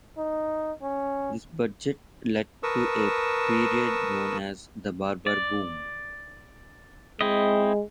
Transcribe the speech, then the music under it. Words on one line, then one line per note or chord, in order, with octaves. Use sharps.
This budget led to a period known as "The Barber Boom".
D#4
C#4
A#4 B4 A5 C#6 D#6 E6
D5
G#3 C4 E4 D#5